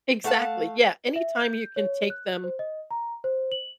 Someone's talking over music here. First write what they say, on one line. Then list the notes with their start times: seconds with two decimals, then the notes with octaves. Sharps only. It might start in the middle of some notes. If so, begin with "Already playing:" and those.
Exactly, yeah. Anytime you can take them,
0.24 A3 F5 F#5 A5
1.16 E5
1.39 G6
1.76 C#5
2.10 F#6
2.30 F#6
2.44 C5
2.59 D#5
2.91 A#5
3.24 C5
3.52 F#7